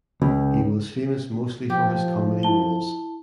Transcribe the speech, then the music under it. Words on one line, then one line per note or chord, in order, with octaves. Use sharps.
He was famous mostly for his comedy roles.
C#2
F3 G4
E4 A5 G7